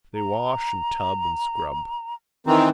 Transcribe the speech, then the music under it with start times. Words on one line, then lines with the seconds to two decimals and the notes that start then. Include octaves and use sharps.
They wash and tub and scrub.
0.15 A#5
2.47 D#3 E3 C4 A#5